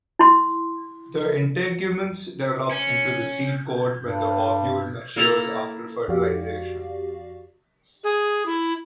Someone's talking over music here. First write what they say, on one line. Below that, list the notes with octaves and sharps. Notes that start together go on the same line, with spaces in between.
The integuments develop into the seed coat when the ovule matures after fertilization.
E4 C6
C#4
G2
A#3 E4 A4 A#5
F2 F#4 G4 D5 F5
G#4
E4